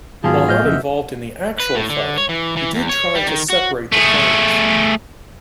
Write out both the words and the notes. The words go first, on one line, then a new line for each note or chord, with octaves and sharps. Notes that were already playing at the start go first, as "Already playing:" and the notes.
While not involved in the actual fighting, he did try to separate the players.
G#2 D#3 F#3 B3 F4 F#4 G#4 A5
A2 D#5 F6 G6
F2 C#3 E5
B4
A2
D3
C#5
E3
E3
E2
C#5
G3
D#3
F#4
A3 G#4